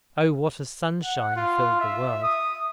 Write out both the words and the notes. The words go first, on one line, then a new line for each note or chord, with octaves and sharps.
Oh! what a sunshine filled the world!
F#5
F4
E5
D#6